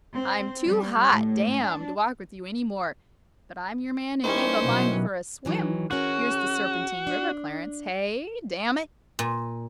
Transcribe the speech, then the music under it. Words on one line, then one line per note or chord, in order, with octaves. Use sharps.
"I'm too hot, damme, to walk with you any more--but I'm your man if you've a mind for a swim--here's the Serpentine river, Clarence--hey? damn it!--hey?"
C4
G3
A2
D4
D#3 E3 G3 C#4 C5
B2 F#3
D#3 E3 F#3
C#4 F#4 G#4 A#4
D4
A#2